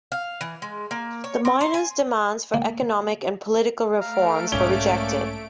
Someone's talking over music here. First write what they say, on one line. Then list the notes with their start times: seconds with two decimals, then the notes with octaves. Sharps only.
The miners' demands for economic and political reforms were rejected.
0.12 F5
0.41 E3
0.62 G#3
0.91 A#3
1.24 C#5
1.45 C4
1.61 C5
1.74 G#5
2.54 A#3
4.01 A3 F5 A#5 F6 D7
4.52 B1 G#2 A#3 C#4 D5 D6 G7